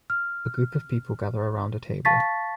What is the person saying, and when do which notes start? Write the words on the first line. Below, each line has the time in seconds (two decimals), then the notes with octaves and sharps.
A group of people gather around a table.
0.10 F6
2.05 F5 A5 C#6 A6 B6